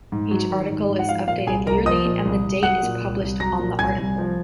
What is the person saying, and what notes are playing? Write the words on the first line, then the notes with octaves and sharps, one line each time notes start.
Each article is updated yearly and the date is published on the article.
G#2
F#3
D#3
G#2
G#2
F#5
F3 F5
A#2 F5
C2 G#4 G#5
C2 A#4 A#5
F3 D#5 D#6
A#2
C2
C2
F#3 F#5 F#6
A#2
C2
C2
F#3 A#5 A#6
A#2
C2 G#5 G#6
C2
F3